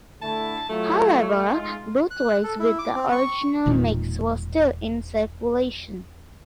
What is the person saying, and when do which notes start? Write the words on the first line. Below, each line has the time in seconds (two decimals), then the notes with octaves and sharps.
However, bootlegs with the original mix were still in circulation.
0.22 D3 A3 E4 A5
0.69 F#3 A3 F4 C#5
1.50 G#3 D#4 F4
2.11 F#6
2.43 A4
2.60 E4
2.79 D6
2.95 C4
3.12 C#6
3.66 E1 A#2 D#3